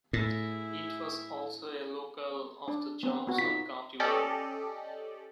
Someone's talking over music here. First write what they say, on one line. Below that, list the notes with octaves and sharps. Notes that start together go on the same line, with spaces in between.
It was also a locale of the Johnson County War.
A2 E4 G#4
D4
B3 C4
B3 F#4
D#4 F4 B6
C#4 G4 A4 D5 D#5